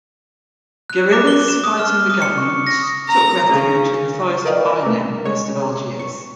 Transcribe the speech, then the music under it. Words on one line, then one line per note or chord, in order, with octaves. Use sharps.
Guerrillas fighting the government took refuge in the forest of Bainem west of Algiers.
F#6
D6
G7
E7
D#6
F6
D#6
C#7
C#6
A#6
A#5
C#3
A#4 B4 D5 D#5 F5 G5
A3 A#4
G#3 C#5
C#6